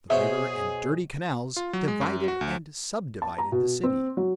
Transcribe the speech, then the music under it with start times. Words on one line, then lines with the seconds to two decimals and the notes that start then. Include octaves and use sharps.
The river and dirty canals divided and subdivided the city.
0.10 B2 G#4 C5 C#5 E5
1.57 F4
1.73 F#3
1.88 G#3
2.01 F#2
2.28 F#4
2.41 D2
3.22 A5
3.38 A#5
3.52 B2
3.84 C4
4.17 F#3